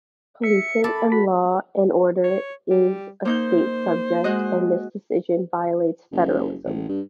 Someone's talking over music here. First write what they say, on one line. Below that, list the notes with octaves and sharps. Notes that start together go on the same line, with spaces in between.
Policing and law and order is a state subject, and this decision violates federalism.
E5 C#7
A4 B5 D6
F#4 B5
C#5
G3
A#3 D#4 C5 G6
G#3 F#4 D#5
F#1
A1
G2